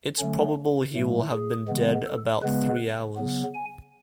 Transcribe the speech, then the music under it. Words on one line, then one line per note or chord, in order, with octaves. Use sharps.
It's probable he will have been dead about three hours.
D3 F#3 A3 C#4
A2 F#3 A3
G#4
C#3 E3 G#3 B3
A4
C#3 G#3 B3 B4
C#3 F#3 B3
G#5